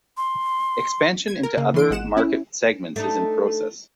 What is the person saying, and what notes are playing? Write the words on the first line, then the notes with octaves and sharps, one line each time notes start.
Expansion into other market segments is in process.
C6
G#6
A#4
C#3 A#3
E3 C6 D7
G#1 G#3 F#5 E7
C#4 E4
A3 D4 D#4